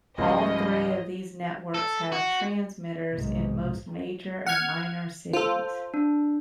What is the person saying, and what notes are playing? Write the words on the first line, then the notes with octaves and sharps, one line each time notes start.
All three of these networks have transmitters in most major and minor cities.
C#2 G#2 C#3 F3 G3 D#5 C6
A4
F#4
B1 G#2 C3
F#5 F6 G#6
F4 A4 C5
D4